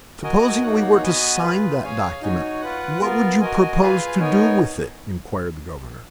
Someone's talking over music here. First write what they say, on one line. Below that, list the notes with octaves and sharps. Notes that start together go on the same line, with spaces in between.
"Supposing we were to sign that document, what would you propose to do with it?" inquired the governor.
F#4 A#4 D#5 G#5
A#3 D#4 F#4 C#5 F#5
B3 F#4 B4 D#5 G#5
F4 G#4 B4
G#4 C#5 F5 G#5
D#4 F#4 C#5 G#5
F4 B4 F#5
B3 F4 A#4
F#4 A#4 D#5 G#5
F4 G#4 B4 F5 G#5
B3 D#4 A#4 C#5 G#5